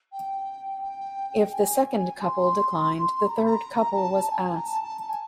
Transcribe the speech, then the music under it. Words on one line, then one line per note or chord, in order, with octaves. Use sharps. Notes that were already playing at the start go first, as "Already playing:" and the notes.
If the second couple declined, the third couple was asked.
G5
G5
G#5
C6
A#5
B5
A#5
A5
G#5
A#5
A5
A5
A5
G#5